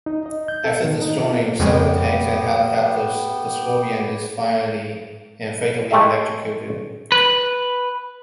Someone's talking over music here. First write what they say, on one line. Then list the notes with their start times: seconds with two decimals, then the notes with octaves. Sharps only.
After destroying several tanks and helicopters, the scorpion is finally and fatally electrocuted.
0.06 D#4
0.26 D#5
0.48 G6
0.64 A4
0.84 D#3
1.02 D#4
1.25 F4
1.60 F2 C#3 G#3 B3 G4
5.91 G#3 A3 G4 A4 D#5 E5
7.12 B4